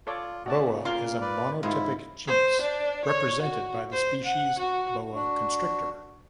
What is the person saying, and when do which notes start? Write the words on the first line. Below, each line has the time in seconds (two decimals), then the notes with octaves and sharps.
"Boa" is a monotypic genus, represented by the species "Boa constrictor".
0.07 F4 A4 C#5 D5
0.46 A3 C#4 F#4 D5 A5
0.68 A#2 C#3
0.85 A#3 F4 A#4 C6
1.21 B4 D5
1.63 G#2 G#3 E4 F4 F5
2.27 C5
2.61 D4
3.05 C#5
3.42 F#4
3.92 C5
4.25 F#5
4.59 F#4
5.14 D4 F#4